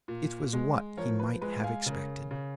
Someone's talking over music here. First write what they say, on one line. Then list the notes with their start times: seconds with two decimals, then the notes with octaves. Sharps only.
It was what he might have expected.
0.08 A#2
0.53 G#3
0.97 F3 A#4 C#5
1.19 B4
1.42 G#3 B4
1.64 F5 G#5
1.86 C#3 A#4
2.31 C#3